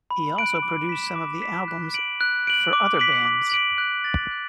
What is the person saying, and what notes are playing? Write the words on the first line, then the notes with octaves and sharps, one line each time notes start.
He also produced some of the albums for other bands.
B5
F#6 D7 F#7
D6
B6 E7
D6
B6 E7
F#6
D7 F#7
F#6
D7 F#7
D6
B6 D7 F#7
D6
B6 D7 F#7
F#6
A6 F#7
F#6